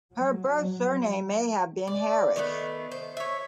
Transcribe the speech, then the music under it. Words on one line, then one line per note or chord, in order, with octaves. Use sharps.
Her birth surname may have been Harris.
F#3
D5
D#3 A3 B3
C5
C#5 E5